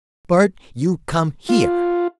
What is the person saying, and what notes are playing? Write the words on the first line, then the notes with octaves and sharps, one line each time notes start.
"Bart, you come here!"
F4